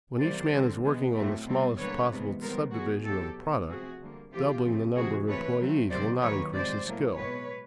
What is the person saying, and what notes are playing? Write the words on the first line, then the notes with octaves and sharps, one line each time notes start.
When each man is working on the smallest possible subdivision of the product, doubling the number of employees will not increase his skill.
C3 E3 G3 A#3 C5 D5
D3 G3 C4
E3 G#3 B3
A2 F#3 A3 C4
B2 G3 C4
D3 G3 A#3 B4 C#5
C3 E3 G#3 B3
D#3 G3 B3 A#4 C5
E3 G3 B3 F#4 G#4
B2 F#3 A3 G4 A4
B2 F#3 B3
C3 F3 A3 C4 F#4 G#4
D3 G3 A#3
C3 E3 A3 C4 F4 G4
C#3 F3 A3 C4
C3 E3 G#3 C4 F#4 G#4
E3 A3 C4 B4 C#5
D#3 F#3 A3 C4
C3 D#3 F#3 C5 D5
D#3 F#3 A#3 B4 C#5
C3 F3 G#3 C4 C5 D5
A2 F#3 A#3
B2 G#3 B3 B4 C#5